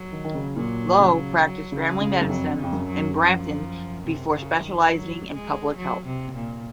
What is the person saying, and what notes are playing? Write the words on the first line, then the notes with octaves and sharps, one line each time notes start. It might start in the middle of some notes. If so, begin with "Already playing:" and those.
Loh practiced family medicine in Brampton before specializing in public health.
Already playing: F#3
D#3
D#3
C#3
A#2 F#3
C#3
F#3
C#3
G#3
C#3
F#2
F2 F#3
C#3
F2
F#2
F#3
F3
C3
C#3
D#3
F#3
G#3
F#3
C3
A#2